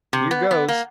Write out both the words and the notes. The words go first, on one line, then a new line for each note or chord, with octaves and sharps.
"Here goes!"
C3
B3
B3
A#3